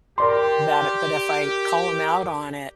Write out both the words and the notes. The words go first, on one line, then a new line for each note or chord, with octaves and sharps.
about it, but if I call 'em out on it,
G4 A#4 D5 C6